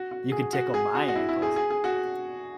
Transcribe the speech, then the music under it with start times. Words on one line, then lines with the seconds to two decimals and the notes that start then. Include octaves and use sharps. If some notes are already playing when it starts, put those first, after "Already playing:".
You can tickle my ankles.
Already playing: F#4
0.11 F#4
0.32 G#4
0.53 F#4
0.74 G#4
0.95 F#4
1.08 F#4
1.16 E4
1.29 E4
1.42 G#4
1.56 G#4
1.70 G#4
1.84 F#4